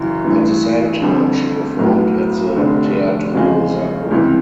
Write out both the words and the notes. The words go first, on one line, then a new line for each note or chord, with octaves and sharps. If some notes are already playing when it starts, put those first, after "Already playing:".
At the same time she performed at the Teatro Zambra.
Already playing: G1 F#2 C#3 E3
A1 G2 E3
F2 D3 G3 C4
B1 A2 F#3 B3
F1 F2 D3
E2 C#3 F3 G#3 C4
C#2 C3 E3 G3